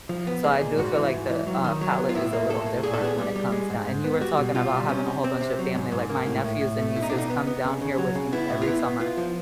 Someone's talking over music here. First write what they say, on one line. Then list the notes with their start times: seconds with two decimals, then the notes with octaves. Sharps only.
So, I do feel like the, uh, palate is a little different when it comes down and you were talking about having a whole bunch of family, like, my nephews and nieces come down here with me every summer.
0.09 F3
0.27 B3
0.44 G#3
0.61 A#2
0.78 G#2 F#4
0.95 E3
1.13 G#2
1.30 E3
1.47 F#3
1.64 D#3
1.81 F#3
1.99 B3
2.09 F4
2.15 A2 E4
2.33 A#3
2.50 A2 A4
2.66 A2
2.83 A#2 G#4
2.93 A4
3.01 B3 G#4
3.19 G3
3.36 G3
3.52 G#3
3.70 G#2
3.87 G#2
4.04 B3
4.21 G3 F#4
4.38 B2
4.55 B2 F4
4.73 G3
4.89 C3 C#4
5.07 C3
5.23 C3 C4
5.41 C3
5.59 F#3
5.75 G#2
5.92 G#2
6.10 A#3
6.26 A2
6.44 A2
6.61 A2
6.78 A3
6.96 B2 E4
7.03 D#4
7.10 B2 D4
7.18 D#4
7.30 B3
7.47 B3
7.64 C#3
7.81 C#3
7.98 F#3
8.15 C#3
8.32 B3 E4
8.50 A2
8.62 F4
8.66 B3 E4
8.84 B3
9.00 B3 F4
9.17 F3